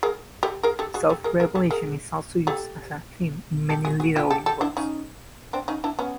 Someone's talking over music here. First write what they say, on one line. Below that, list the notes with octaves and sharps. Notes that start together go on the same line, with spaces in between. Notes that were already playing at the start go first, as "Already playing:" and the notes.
Self-Revelation is also used as a theme in many literary works.
G#4 A#4
G4 A4
G#4 A#4
G4 A4
F#4 G#4
G4 A4
G#4 A#4
G#4 A#4
G4 A4
G#4 A#4
G4 A4
G4 A4
F#4 G#4
F#4 G#4
F4 G4
G4 A4
G4 A4
D4 E4
C#4 D#4
C4 D4
C#4 D#4
D4 E4
B3 C#4